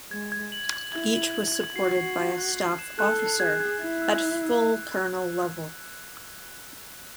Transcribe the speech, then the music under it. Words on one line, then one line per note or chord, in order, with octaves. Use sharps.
Each was supported by a staff officer at full colonel level.
G#3 G#6
G#6
F#7
G#6
E4 G#6
F#7
F#7
G#6
F#4 C7
C7
C7
F#6
C7
E7
A4 F#6
C7
G#4 G#6
G#6
E4 G#6
E6
E6